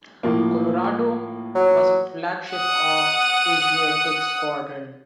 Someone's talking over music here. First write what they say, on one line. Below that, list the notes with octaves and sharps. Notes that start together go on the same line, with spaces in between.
"Colorado" was flagship of the Asiatic Squadron.
A2 F3 A#3
F#3
F#5 D#6